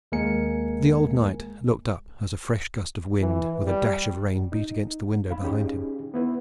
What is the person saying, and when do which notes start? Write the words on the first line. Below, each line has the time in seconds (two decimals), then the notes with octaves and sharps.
The old knight looked up as a fresh gust of wind with a dash of rain beat against the window behind him.
0.12 D#2 G#3 A#3 A#4 G#5 C#7
3.20 E3
3.64 G3
4.52 D#4
5.29 D#2 F5 B5
5.42 C#4 D#4 G4 G#4
6.14 B3 E4 B4